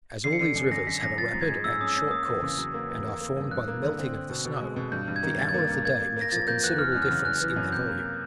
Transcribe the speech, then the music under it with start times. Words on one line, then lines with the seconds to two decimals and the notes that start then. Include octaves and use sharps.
As all these rivers have a rapid and short course, and are formed by the melting of the snow, the hour of the day makes a considerable difference in their volume.
0.24 D3 C7
0.33 C#7
0.39 D3 C7
0.56 F#2
0.71 F#2 A#6
0.87 F#2 B6
1.03 F#2 A#6
1.18 F3 A6
1.34 G#2
1.41 G#6
1.49 G#3
1.64 G#2 E6
1.81 C#4 D#6
1.88 E6
1.96 C#4
2.11 A#3 D#6
2.28 E2
2.42 C#3
2.58 F#3
2.74 A#3
2.90 E2
3.05 A#3
3.21 A#3
3.36 G2
3.51 G2 F#6
3.68 A#3
3.83 D3
3.99 C4
4.14 C4
4.30 B2
4.45 B2
4.61 G#3
4.76 B2
4.92 G2 G6
5.08 G2
5.16 G#6
5.23 D#3
5.38 G2 A6
5.49 G#6
5.54 A#3
5.59 A6
5.70 G2
5.85 A#3 G#6
6.01 A#3
6.16 A#3 A#6
6.32 F3 A6
6.47 A#3 G6
6.64 E2 F#6
6.78 E3 F6
6.92 F#2 F#6
7.02 F6
7.10 C#3
7.25 E3 F#6
7.41 E3
7.56 F#2
7.72 C3 G6
7.88 A#3